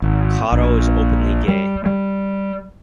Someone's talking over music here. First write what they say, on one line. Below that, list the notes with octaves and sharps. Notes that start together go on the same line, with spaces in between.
Caro is openly gay.
G#1
A#1
G3
G3